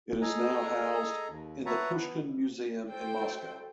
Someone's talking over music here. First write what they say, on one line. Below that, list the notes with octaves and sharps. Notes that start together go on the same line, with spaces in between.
It is now housed in the Pushkin Museum in Moscow.
G#4 A4 D#5 G#5 A#5
D#2
B4 C#5 E5 F#5 A5 A#5
B3
F#4 A4 C5 G5